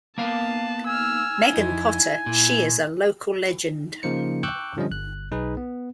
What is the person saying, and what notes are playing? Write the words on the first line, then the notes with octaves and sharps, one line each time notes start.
Megan Potter, she is a local legend.
A#3 B3 F5 A5
G#5 E6 F6
F2 D#4 E4
A#2 E4
C#3 F3 A#3 D#4 C5 C#7
G5 C#6 D6 E6 F#6 G6
D3 F3 G3 C#4 D#5
G1 F#6
B1 D#4 G#4 B4
B3